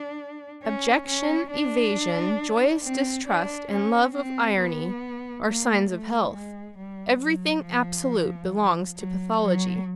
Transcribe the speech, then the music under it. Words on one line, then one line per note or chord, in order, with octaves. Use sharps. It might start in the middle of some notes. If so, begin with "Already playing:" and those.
Objection, evasion, joyous distrust, and love of irony are signs of health; everything absolute belongs to pathology.
Already playing: D4
C#4
C#4
D4
C4
D4
C#4
C4
B3
A#3
A3
G#3
G3
F#3
F3
F#3
F#3